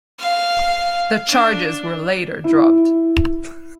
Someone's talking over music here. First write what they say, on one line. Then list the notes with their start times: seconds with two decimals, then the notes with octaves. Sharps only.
The charges were later dropped.
0.19 F5
1.28 D4
2.44 E4